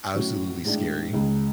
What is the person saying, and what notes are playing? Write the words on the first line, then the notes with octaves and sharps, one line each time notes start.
absolutely scary.
A2 F#3 C#4 F#4
A2 G#3 D4
C#2 C#3 G#3